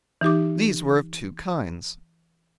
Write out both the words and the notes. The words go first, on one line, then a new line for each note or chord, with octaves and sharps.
These were of two kinds.
E3 D#4 G4 D6